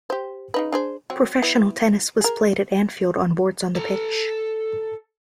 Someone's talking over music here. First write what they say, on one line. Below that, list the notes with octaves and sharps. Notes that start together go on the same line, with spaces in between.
Professional tennis was played at Anfield on boards on the pitch.
G4 C5
C#3 D#4 B4
D4 G#4 C5
F#3 C4
B3 E4
G#4 A#4
A4 A#5